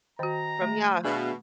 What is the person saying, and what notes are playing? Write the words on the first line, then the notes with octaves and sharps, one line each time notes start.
from y'all
D#3 F#4 D#5 G5 A#5
A3
B2 D4 G#4 E5 F5